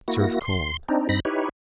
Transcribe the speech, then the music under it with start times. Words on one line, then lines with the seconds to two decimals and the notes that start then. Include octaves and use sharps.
Serve cold.
0.08 A#3 E4 F#4 A#6
0.41 C6
0.89 C4 D4 D#4
1.09 G2 C4 D#4 B5 A#6
1.25 D#4 E4 G4 B4 C#5